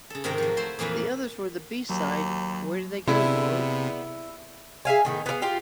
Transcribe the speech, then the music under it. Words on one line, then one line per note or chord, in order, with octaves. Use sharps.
The others were the B-side Where Did They Go, Lord?
C#3 A4
G#2 C3 D#3 A#4 D#5 G5
F3 F#3
A3 E4 C5 C6
F2 A#2 E3 A#3 B4
D#2 F#3
C3 B3 E4 G#4 D5
G#4 E5 F5 G#5
A2 D#3 B3
B3 G#4 A#4 F5
F4 G4 F5